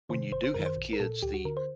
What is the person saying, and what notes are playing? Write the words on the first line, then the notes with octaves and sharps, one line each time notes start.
when you do have kids, the
C3 D#3 C5
G1 C5
C5
F#2 D#3 A#4
C5
A#1
A#4
A#2 A4
D2 G4
F#4
D3 A#4
C5